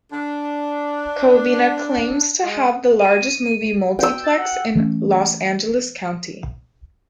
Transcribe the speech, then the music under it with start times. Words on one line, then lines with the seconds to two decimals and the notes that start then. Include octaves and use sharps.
Covina claims to have the largest movie multiplex in Los Angeles County.
0.12 D4
2.44 G#3
3.00 D#7
3.99 G5 E6
4.24 A6
4.38 F#5
4.75 E3 A3 B3 C#4